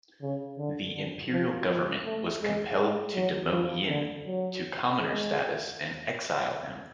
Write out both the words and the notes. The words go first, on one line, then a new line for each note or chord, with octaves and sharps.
The imperial government was compelled to demote Yin to commoner status and exile him.
C#3
D3
D3
F3
F3
A3
G#3
G#3
F#3
F3
D3
F#3
G#3